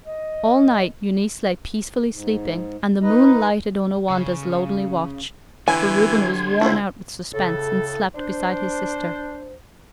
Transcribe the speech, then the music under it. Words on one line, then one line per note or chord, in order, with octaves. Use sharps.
All night Eunice lay peacefully sleeping, and the moon lighted Onawandah's lonely watch, for Reuben was worn out with suspense, and slept beside his sister.
D#5
G#2
D#4 B4 D#5
C#3
D3 E3 G4 G#5 C6 G#6
C#2 E4 C5
A2 C#3 A4
D4 C5